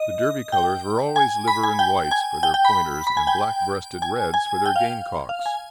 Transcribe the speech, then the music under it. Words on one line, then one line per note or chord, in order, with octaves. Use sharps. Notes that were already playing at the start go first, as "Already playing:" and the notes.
The Derby colours were always liver and whites for their Pointers and black breasted reds for their game-cocks.
Already playing: D#5
G5
G#5
B5
G#5
G5
G#5
G5
G5
B5
B5
G#5
G5
G#5
G#5
G5
F5
F5
G#5